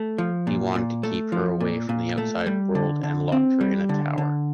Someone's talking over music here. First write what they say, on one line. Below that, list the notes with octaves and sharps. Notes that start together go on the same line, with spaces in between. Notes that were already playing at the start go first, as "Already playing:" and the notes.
He wanted to keep her away from the outside world and locked her in a tower.
Already playing: A3
F3
A#2
A#2
A3
F3
A#2
A#2
A3
G3
D3
D3
C4
G3
D3
D3